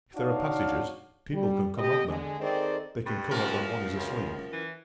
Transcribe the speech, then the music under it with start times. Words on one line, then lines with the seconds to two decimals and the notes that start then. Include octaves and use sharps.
If there are passages, people can come up them; they can come up when one is asleep.
0.16 D4 D#4 F#4 C#5 F5
1.34 G3
1.77 B2 G4 D#5
2.08 D3 G#3
2.41 D#3 C4 G#4 A4 D5 D#5
3.06 G2
3.31 F#2 F3 A#4
3.96 C#2
4.53 E3